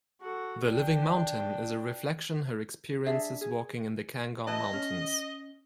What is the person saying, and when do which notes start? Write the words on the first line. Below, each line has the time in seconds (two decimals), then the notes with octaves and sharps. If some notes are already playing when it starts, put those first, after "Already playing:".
"The Living Mountain" is a reflection her experiences walking in the Cairngorm Mountains.
0.22 F#4 A4
0.67 D4 G5
3.06 D4 G#4 E5
3.41 G#4
4.47 E4 B4 D#5 A5
4.73 C#4